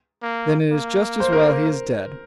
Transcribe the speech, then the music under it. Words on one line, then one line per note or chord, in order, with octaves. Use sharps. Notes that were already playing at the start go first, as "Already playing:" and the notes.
"Then it is just as well he is dead."
A#3
A#3
C5
A#4